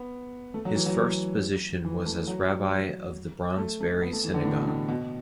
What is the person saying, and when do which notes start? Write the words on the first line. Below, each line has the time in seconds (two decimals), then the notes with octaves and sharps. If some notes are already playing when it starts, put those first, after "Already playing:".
His first position was as rabbi of the Brondesbury synagogue.
Already playing: B3
0.54 A3
0.65 F#3
0.76 E3
0.86 F#3
1.85 E3
2.06 A3
2.27 F#3
3.58 A3
3.81 A3
4.02 B3
4.13 A3
4.24 E3
4.34 D3
4.45 A2
4.56 B2
4.67 A2
4.88 B2